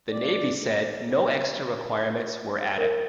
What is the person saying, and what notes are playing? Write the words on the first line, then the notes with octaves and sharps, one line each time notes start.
The Navy said no extra requirements were added.
D5
A#4